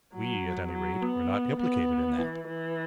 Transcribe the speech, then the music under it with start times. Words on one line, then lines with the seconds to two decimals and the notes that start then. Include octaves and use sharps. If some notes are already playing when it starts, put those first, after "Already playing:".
"We at any rate are not implicated in that."
0.14 F#3
0.72 F#3
1.02 B3
1.60 B3
2.19 E3
2.48 E3